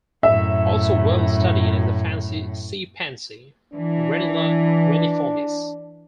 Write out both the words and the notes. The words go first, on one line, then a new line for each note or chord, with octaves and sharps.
Also well studied is the fancy sea pansy, "Renilla reniformis".
F#2 A2 E5
E3 D4